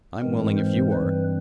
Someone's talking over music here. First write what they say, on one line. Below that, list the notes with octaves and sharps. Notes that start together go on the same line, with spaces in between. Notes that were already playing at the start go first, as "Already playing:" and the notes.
"I'm willing if you are."
G#2 E3 G#3 C4 A#4
C5
G2 E3 G3 C4 B4